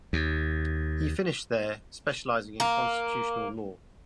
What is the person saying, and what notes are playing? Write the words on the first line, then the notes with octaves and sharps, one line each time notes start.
He finished there, specializing in constitutional law.
D#2
A#3